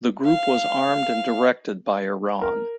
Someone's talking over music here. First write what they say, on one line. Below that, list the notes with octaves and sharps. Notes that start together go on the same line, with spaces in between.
The group was armed and directed by Iran.
F5
A#4